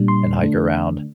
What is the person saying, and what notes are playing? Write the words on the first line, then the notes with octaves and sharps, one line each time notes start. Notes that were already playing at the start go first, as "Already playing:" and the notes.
and hike around.
Already playing: A#2 G3 D4
C6
D3 A3 D4